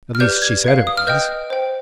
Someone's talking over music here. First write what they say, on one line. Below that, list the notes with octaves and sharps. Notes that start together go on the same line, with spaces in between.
At least she said it was.
F6
G4 B4 D5 G6
G#6
B4 F5
D#6
F6
B4 D#5 G5 G6
C5 G5